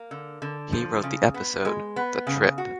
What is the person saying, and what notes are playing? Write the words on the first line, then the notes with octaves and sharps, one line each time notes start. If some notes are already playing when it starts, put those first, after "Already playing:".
He wrote the episode "The Trip".
Already playing: A#3
D3
D3
F3
C#3
B3
G#3
B3
C#3
F#4